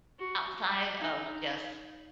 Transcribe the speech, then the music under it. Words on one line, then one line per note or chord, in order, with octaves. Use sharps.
outside of just
F#4
D#4